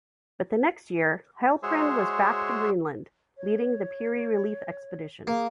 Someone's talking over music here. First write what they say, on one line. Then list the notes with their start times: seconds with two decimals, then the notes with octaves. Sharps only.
But the next year Heilprin was back to Greenland, leading the "Peary relief expedition".
1.63 G#3 F#4 G#4 C5 C#5 E5
3.37 C#5
5.27 A#3 G#4